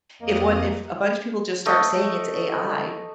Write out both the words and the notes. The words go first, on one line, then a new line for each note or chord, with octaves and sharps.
if what if a bunch of people just start saying it's AI,
F2 A#3 D#5
A3 D#5